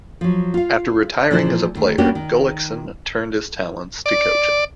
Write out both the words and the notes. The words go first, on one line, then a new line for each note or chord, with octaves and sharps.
After retiring as a player, Gullikson turned his talents to coaching.
F3 F#3
F4 F5
A#2 E3 F3 E4 C5
D2 D#3
G3 A#3 C#4 D4 F#4 G4
D#3
D5